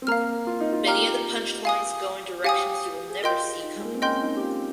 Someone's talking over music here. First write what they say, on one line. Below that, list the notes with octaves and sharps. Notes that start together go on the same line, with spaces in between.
Many of the punchlines go in directions you will never see coming.
C4
A#3 F5 A#5 F6
F4
D#4
F4
G4 F5 A#5 F6
F5 G#5 D#6
G4 F5 G#5 D#6
G#4
G4
F4 A#4 D#5 G5 C6 G6
D#4
G#3
A#3
C4
C#4 A#4 D#5 G5 C6 G6
D#4
G4
F4